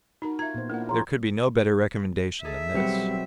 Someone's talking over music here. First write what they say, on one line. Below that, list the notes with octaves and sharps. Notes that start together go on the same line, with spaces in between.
There could be no better recommendation than this.
D#4 F#4 A#4 A#5
F4 E5 A#5 G#6
A#2 B3 C5
A#3 D4 E4 A#4 F#5
F3 G#4 C#5 A#5 C6
D#4 G#4 A4 E5
B1 F#3 G3 C4 C#7